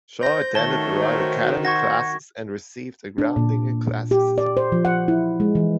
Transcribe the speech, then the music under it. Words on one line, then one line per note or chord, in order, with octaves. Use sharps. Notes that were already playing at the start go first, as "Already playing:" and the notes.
Shaw attended the Royal Academy classes and received a grounding in classicism.
C5 G6 A#6
D#3 A3 F#4 C#5 A5 A#6 G7
C5
C5 F#5 C#6 G#6 A#6
D4
A#2
G4
D5
C5
F3
F#5
E4
G#3
E3